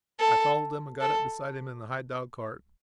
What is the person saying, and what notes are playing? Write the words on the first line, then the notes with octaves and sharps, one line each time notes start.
I followed him and got up beside him in the high dog-cart.
A4
A4